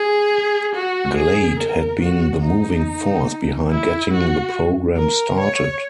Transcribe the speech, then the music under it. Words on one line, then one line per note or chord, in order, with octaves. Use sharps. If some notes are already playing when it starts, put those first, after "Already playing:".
Glade had been the moving force behind getting the program started.
Already playing: G#4
F#4
G#4
A#4
F#4
D#4
E4
F#4
A#4
C#5